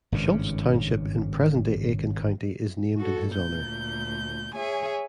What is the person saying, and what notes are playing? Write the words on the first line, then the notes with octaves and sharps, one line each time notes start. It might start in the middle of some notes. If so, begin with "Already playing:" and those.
Shultz Township in present-day Aiken County is named in his honor.
G#1 G2 C#3
F#4 A4
D2 A#2 G6
G#4 C#5 E5 G#5